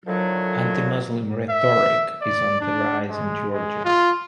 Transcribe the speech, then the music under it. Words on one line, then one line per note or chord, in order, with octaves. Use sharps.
Anti-Muslim rhetoric is on the rise in Georgia.
A2 D3 D#3 F3 F#3
E5
D5
D4
G#3
G#3
F4